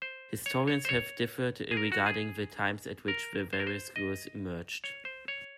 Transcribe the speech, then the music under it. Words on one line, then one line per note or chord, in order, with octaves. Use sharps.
Historians have differed regarding the times at which the various schools emerged.
C5
C#5
C#5
C5
C#5
G#4
A#4
F#4
G#4
A#4
C5
A#4
C5
D#5
C#5
C5
C#5